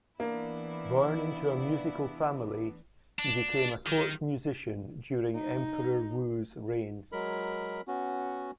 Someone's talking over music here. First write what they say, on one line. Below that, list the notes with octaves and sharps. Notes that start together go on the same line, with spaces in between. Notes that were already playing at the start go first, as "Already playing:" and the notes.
Born into a musical family, he became a court musician during Emperor Wu's reign.
E3 A#3 B3 D4 E4
D4
D#3
D#4
F#3 G#3 A#4 B5
B3 C#4 F#4